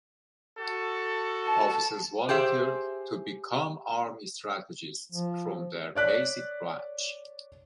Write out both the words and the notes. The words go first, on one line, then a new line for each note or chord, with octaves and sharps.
Officers volunteer to become Army Strategists from their basic branch.
F#4 A4
A5
G4 G#4 C5 E5
F3
C#5 D5 F#6 B6